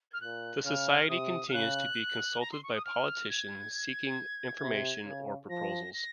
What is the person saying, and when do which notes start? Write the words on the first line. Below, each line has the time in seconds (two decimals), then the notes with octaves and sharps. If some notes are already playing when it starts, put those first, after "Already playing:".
The Society continues to be consulted by politicians seeking information or proposals.
0.13 F6
0.21 A#2 F#6
0.65 C#3 F6
1.09 C3 D#6
1.49 F6
1.53 C#3 F#6
2.40 A#5
2.52 C6
2.63 C#6
2.74 D#6
2.85 F6
3.29 G#6
4.61 C3
5.05 C#3
5.49 F3 A#6
5.94 A#6